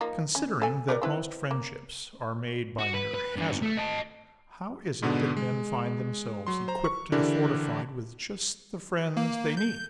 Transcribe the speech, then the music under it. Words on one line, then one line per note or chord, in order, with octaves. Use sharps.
Considering that most friendships are made by mere hazard, how is it that men find themselves equipped and fortified with just the friends they need?
F3 A#3 D#4
C#4
A4 G#5
G4 A#4 D5
C4 E4 B4
A#3
F#4
B4
B4
G2 D3
A3
D#5 A5
G#2 B2 D3 B3 D4
G#3
F#3 C6
C5 A#5
C#6
D3 E3 D4 E4 G4 A#4
A#3
G6